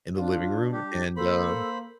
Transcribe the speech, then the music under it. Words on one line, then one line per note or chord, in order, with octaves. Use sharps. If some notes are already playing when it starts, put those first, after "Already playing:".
in the living room, and, um
D4 F4
G3 G4
A#3 A4 C5 B5